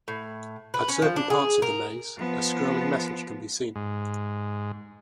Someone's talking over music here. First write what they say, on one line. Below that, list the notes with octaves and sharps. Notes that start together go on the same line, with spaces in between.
At certain parts of the maze, a scrolling message can be seen.
A2
B4
C#4
F3
D4
G#4
A#4
F3 B3
G#2